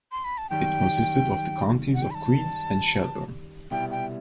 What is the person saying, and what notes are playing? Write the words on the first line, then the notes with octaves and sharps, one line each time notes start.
It consisted of the counties of Queens and Shelburne.
C6
B5
A5
F#2 D#3 G3 G5
F#5
G5
B5
A5
C2 B2 G3 B3 E4 G5
G5